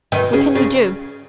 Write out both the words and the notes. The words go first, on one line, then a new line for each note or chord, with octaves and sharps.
What can we do?
B2 D#3
C#3
C#3